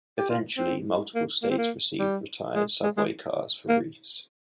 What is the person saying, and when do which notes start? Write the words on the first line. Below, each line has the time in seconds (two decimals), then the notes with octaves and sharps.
Eventually, multiple states received retired subway cars for reefs.
0.19 G4
0.30 F4
0.58 C4
1.15 A#3
1.43 A#3
1.50 C4
1.58 A#3
1.99 G3
2.55 G#3
2.84 G#3
2.97 G#3
3.69 A#3